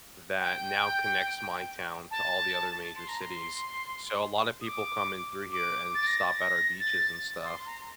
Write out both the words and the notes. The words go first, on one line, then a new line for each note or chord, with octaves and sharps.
that now connects my town to all the other major cities, so, a lot of people come in through here and stop at our beaches and stuff,
G5
A5
C6
A#5
C6
D#6
D6
D6
A6
A#6
A6
A#6
A6
C6
A#5